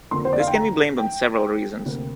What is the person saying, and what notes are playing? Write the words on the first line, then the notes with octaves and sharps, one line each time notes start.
This can be blamed on several reasons.
F2 D3 A#3 C6
C5
D5
F5
G5
A#5
G5
D2 C3 A#3